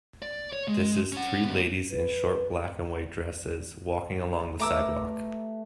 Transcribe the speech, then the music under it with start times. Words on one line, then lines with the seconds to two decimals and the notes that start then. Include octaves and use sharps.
This is three ladies in short black and white dresses walking along the sidewalk.
0.22 D5
0.53 C#5
0.68 G#3
1.12 C#4 F#5
1.45 G3 B3
1.91 B4
4.60 A3 G4 B4 A#5 D6 E6